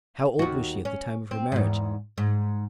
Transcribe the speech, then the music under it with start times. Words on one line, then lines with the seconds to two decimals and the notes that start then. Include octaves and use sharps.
"How old was she at the time of her marriage?"
0.39 D#2 F#4
0.85 C#4
1.31 C4
1.52 E2 G#2
2.18 G#2